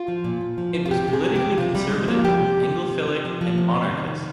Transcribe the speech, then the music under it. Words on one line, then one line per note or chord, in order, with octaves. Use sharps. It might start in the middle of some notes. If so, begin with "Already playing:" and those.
It was politically conservative, Anglophilic, and monarchist.
Already playing: F4
F3
A#2
A#2
F3
F3
F4
C3 G4
C3
G#4
F3
G4
F3
C3 F4
C3 G3
F3 G#3
F3 A#3
F4
C3 G4
C3
F3
F3
C3
C3
F3
F3
C3
C3
D#3
D#3